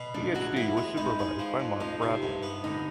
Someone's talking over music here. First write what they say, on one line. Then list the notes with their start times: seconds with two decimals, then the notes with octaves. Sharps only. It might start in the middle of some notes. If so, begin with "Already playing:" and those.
His PhD was supervised by Mark Bradley.
Already playing: B2
0.14 E2 D4
0.35 F#3 F#4
0.56 B3 E4
0.77 G#3
0.97 B3 D#4
1.19 G#3
1.39 F3
1.60 F2
1.80 F3 D#4
2.02 C3
2.22 G2
2.43 B3
2.64 D3 D#4